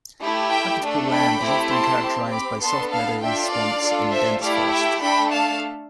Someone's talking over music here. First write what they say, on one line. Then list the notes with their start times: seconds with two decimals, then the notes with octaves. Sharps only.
Habitable land is often characterized by soft meadows, swamps, and dense forests.
0.21 A3 E4 G4
0.51 E5 G5
0.82 A3 D4 A4
1.11 G5 B5
1.42 A3 C4 E4 G4
1.72 A5 C6
2.02 C4 G4
2.32 B5 D6
2.62 B3 D4 A4 A5 C6
2.92 F5 A5
3.22 D4 F4 A4 E5 G5
3.52 D5 F5
3.82 D4 F4 A4
4.12 C5 E5
4.42 A3 E4 G4 D5 F5
4.72 E5 G5
5.02 A3 D4 A4 G5 B5
5.32 F5 A5